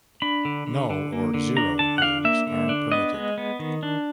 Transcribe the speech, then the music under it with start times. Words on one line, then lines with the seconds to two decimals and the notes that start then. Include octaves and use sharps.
"Null" or "zero" moves are permitted.
0.22 D4 B5
0.45 D3
0.67 D3
0.90 D3
1.12 A#3
1.34 D3
1.57 D4 A#5
1.79 D3 A5
1.98 F#5
2.02 D4 F5
2.25 A#3 E5
2.47 D3
2.69 D4
2.92 B3 D#5
3.14 G#3
3.38 B3
3.59 D#3
3.83 D4